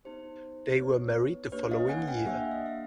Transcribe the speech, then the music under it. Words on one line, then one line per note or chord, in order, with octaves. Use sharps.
They were married the following year.
B3 D#4 G4 C5
B3 D#4 G4 B4 C#5
A#3 D4 G4 B4 C#5
D#5 F5
F#5 G#5
F5 G5
A#3 D4 G4 E5 F#5
E5
D#5 F5
F5